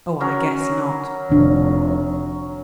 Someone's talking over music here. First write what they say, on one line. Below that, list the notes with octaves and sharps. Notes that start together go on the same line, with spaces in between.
Oh, I guess not.
F#3 C#4 A#4
F1 D#3 D4